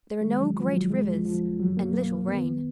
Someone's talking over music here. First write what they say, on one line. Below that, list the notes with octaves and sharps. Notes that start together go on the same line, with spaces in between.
There are no great rivers and little rain.
F2 D#3 G#3
F#3
F3
F#3
F2 D3 G#3
F3
F3
F#2 D3 F#3
A#3
A#3
F2 D#3 B3